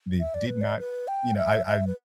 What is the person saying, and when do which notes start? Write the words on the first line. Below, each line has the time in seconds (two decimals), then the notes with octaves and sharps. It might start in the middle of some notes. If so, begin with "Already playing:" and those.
that did not you know, I I
0.20 E5
0.34 D5
0.47 B4
0.61 D5
0.79 B4
1.08 G5
1.37 E5
1.66 E5
1.87 B4